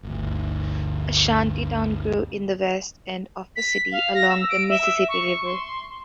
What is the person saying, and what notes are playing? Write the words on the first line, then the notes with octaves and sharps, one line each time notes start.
A shantytown grew in the west end of the city along the Mississippi River.
G1 D2
B6
F5
A#6
E6
D7
E5
C#6
C6